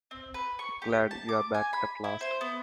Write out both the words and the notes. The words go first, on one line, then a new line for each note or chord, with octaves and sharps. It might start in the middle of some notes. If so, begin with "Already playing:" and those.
Glad you're back at last.
C4
B4
C#6
G4
A5
D6
G#5
B5
E4
C5
B3